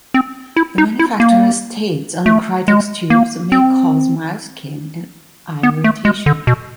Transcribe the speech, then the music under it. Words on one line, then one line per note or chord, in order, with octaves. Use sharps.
The manufacturer states on Krytox tubes, May cause mild skin and eye irritation.
C4
E4
D#4
E4
A#3
A3
G#3
A#3
C4
B3
A3
G#3
D3
B2